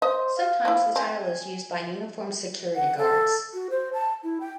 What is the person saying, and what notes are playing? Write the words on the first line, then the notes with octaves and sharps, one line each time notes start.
Sometimes the title is used by uniformed security guards.
C5 D#5
F5
F3 E4
C4 G#5
F#5
A4
F#4
C5
A5
E4
G5